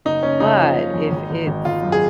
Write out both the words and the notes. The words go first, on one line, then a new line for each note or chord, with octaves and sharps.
But if it's,
F#1 D#4
F#1 C#4
C#3 D#4
F3
F#1
F2
G#1
G#1
G#1
G#1 F4
F#2
G#4